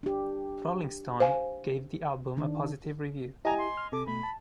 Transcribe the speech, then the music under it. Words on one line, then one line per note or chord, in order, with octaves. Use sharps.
"Rolling Stone" gave the album a positive review.
D4 G4
C5 F5 G#5
D#3 D4
E4 G4 D#5 G#5 A#5
C6
F6
C3 A4 D6
B2 A3 B5
A5